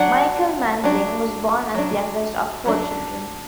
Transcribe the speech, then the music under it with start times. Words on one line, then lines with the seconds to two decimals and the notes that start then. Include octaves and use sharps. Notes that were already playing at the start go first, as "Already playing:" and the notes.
Michael Manring was born as youngest of four children.
Already playing: F#3 D4 F#5
0.84 F#3 D4
1.75 F#3 D4
2.66 F#3 D4